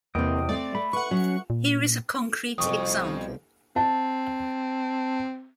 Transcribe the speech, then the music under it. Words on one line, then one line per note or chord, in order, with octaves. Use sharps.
Here is a concrete example.
E2 C3 A#3 C4 D#5 G5
A3 C4 D5
A3 B5
B4 F#5 C#6
F#3 C#4
A#2
C2 F2 B2 C#6 D#6
C4 A5